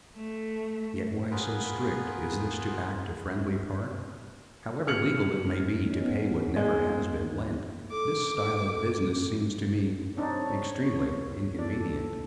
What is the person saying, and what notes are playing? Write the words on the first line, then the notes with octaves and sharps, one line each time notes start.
Yet why so strict? Is this to act a friendly part? However legal it may be To pay what never has been lent, This style of business seems to me Extremely inconvenient!
A3
B3 F4 G#4 A#4 B4
F6 C#7 F#7
C#4 D#4
B3
G#3 G#4
A4 D6
C4 D4 D#4 C#5
A4 D5